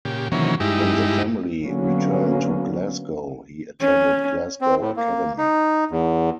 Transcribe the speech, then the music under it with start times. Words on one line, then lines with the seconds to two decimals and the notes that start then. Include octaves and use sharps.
When the family returned to Glasgow he attended Glasgow Academy.
0.05 A#2 C#3 G4
0.32 C3 D#3 E3 F#3 A#3 C#4
0.60 G2 G#3 D#4 E4 G4
1.63 D3 F#3 A#3 B3 C#4
3.80 C#4
4.61 C4
4.81 A2
4.97 A#3
5.38 D#4
5.91 E2